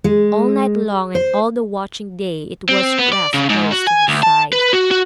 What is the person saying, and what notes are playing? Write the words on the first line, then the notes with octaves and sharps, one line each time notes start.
All night long and all the watching day it was pressed close to his side.
G#3
C5
C4
B3
D5
C#3
G#2
F#4
G#5
D2
A5
B4
F#4
F#4